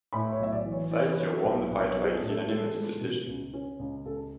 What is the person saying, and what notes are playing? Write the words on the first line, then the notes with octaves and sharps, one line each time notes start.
Saikyo won the fight by unanimous decision.
A2 B5
C#5
B1 E5
D5
E3
C#5
E3 D5
C#5
B4
B3 C#5
A4
B1
B1 B4
C#5
B3
G#4
A4
A2
A4
G#3 A4
G#3
B2
C#2
C#4
C#2
C#2 A4